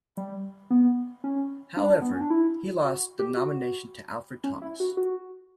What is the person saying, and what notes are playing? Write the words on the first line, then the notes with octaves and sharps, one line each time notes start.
However, he lost the nomination to Alfred Thomas.
G3
B3
C#4
D4
B3
C#4
D4
E4
F#4
G4
F#4
C#4
E4
F#4
F#4